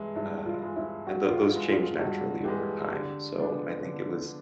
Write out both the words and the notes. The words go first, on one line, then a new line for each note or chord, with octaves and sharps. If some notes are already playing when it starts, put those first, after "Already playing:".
um, and those those change naturally over time, so I think it was
Already playing: G2 E3 G#3 E4
G2 E4
F4
E3 G#3
E4
G2 F#4
F4
F#4
E3 G#3
F4
G2 F#4
E3 G#3 G4
D3 G4
F3 G#3 B3 D4
D3